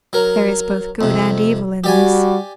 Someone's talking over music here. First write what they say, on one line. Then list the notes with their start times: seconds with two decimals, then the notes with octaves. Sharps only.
There is both good and evil in this.
0.13 F#3 A#4
1.01 F2 C3
1.84 G3 F#4 G4 D5 G#5